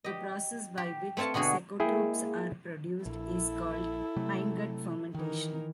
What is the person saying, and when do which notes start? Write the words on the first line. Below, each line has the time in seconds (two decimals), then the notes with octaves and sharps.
The process by which cecotropes are produced is called "hindgut fermentation".
0.04 G4 D#5
0.78 G4
1.17 A3 C4 C#5 F5 A5
1.34 B2 D3 F#4 G#4 C#5
1.80 G#3 A#3 E4 G#4 G5
3.06 A#1 E4 A4
4.16 C3 F#3 A3
5.15 D#3 E3 D#4 A#4